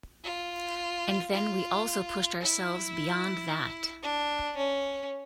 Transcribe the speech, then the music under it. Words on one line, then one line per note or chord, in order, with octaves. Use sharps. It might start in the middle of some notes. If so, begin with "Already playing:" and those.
And then we also pushed ourselves beyond that.
F4
F4
E4
D4
C#4